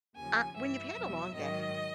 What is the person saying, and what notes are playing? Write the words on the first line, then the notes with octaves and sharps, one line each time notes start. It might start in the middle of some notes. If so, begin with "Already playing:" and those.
Ah, when you've had a long day
D#2 C#3 F3 G#5
G2 E3 E5
E2 B2 F#3
G#2 D#3 F#3 D#5